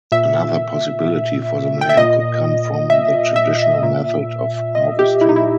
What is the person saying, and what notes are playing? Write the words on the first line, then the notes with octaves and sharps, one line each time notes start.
Another possibility for the name could come from the traditional method of harvesting.
A#2 E5
G5
E5
A#2 D#5
E5
E5
E5
A#2
D#5
G4
E4
D#4
E4